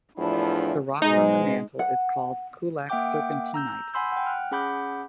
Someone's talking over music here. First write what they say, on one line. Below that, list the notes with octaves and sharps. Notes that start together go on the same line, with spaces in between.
The rock from the mantle is called Coolac Serpentinite.
E2 A2 F3 D4 E4
G#2 B2 G#3 D#4
F#5
A#3 E5 F#5 G5 D6 G6
A#5 E6 G6
F#5 G#5 B5 C6 E6 G6
F#5 G5
F6 F#6
C#4 G#4 F#5 B5 D6 G6